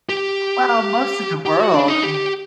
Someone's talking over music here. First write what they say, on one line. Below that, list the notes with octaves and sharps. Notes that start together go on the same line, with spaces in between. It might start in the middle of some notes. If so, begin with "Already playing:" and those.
Well, most of the world, I mean
G4
G4
F#4
D4
D#4
G4